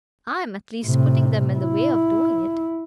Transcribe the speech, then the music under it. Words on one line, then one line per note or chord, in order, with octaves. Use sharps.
I am, at least, putting them in the way of doing it.
A2 C3
E4